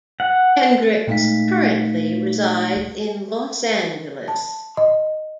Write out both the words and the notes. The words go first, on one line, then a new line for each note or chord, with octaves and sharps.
Hendrix currently resides in Los Angeles.
F#5
A#2 G#3 A3 D#4 F5 B6
A5
D#5